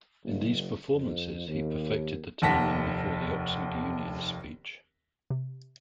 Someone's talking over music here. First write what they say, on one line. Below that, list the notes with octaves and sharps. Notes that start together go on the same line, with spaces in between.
In these performances he perfected the timing before the Oxford Union speech.
F#1
F2
D#2
F1 D#2 F#5 A5 A#6 B6
C3